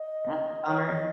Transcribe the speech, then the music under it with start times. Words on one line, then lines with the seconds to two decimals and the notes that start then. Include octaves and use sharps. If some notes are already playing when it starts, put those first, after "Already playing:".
That's a bummer.
Already playing: D#5
0.66 C#5
0.84 D#5